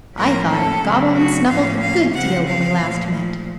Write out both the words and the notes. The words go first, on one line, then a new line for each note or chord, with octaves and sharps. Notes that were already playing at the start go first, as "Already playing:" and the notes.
"I thought it gobbled and snuffled a good deal when we last met!"
A2 F3 A#3 C#4 A#4
A4
C#3 F#3 A3 C4
F#4
A2 F3 A#3 C#4 F5
F5
C#3 F3 C4 F#5
F5
A#2 F3 A3